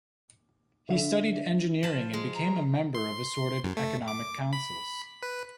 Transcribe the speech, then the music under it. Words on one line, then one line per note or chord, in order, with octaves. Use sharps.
He studied engineering and became a member of assorted economic councils.
D3 E5
F3 A5 B5
G#3
A#5
C6
F#2
A3
D6
B5
B4